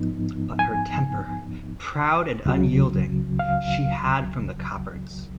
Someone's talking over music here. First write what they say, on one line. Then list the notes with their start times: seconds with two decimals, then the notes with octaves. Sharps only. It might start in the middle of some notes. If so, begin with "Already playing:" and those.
But her temper, proud and unyielding, she had from the Coppards.
Already playing: G#2 F3 B3 D#4
0.59 G#5
2.46 C#2 C#3 F#3
3.39 F5